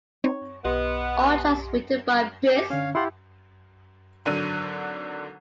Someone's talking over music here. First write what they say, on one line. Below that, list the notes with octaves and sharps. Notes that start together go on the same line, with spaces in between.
All tracks written by Bis.
C4 D#4 C#5
B1 B3 G4 D#5 C6
G4
D3 C#4 C#5 F5
E4 F4 G4 F#5 C6
G#1 D3 F#3 D4 D#7